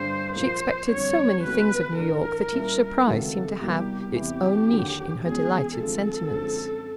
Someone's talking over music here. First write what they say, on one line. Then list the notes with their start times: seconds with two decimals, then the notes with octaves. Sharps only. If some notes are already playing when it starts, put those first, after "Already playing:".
She expected so many things of New York that each surprise seemed to have its own niche in her delighted sentiments.
Already playing: G2 D3 G3 C5
0.35 A#2 F3 A#3 C5
0.90 F2 D3 G3 C4 C#5
1.44 C#2 B2 F#3 A3 C#4 B4
1.98 A2 E3 A3 D4 A#4
2.52 A#2 G3 A#3 C#4 E4
3.07 C#2 C3 D#3 F#3 A3 A4
3.61 C2 B2 G3 A#3 G4
4.15 E2 C3 E3 G4
4.69 D#2 D3 F#3
5.23 E2 B2 G#3 C#4 G#4
5.78 D2 C3 F3 G#3 A4
6.33 F#2 D3 F3 G#3 C4